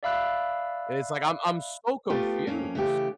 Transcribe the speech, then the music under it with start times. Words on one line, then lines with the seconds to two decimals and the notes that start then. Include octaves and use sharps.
It's like I'm I'm so confused.
0.03 D5 E5 F5 B5 E6 F#6
2.10 A3 B3 F4 G4
2.47 F2 A#3 C#4
2.75 C#3 E3 A3 G4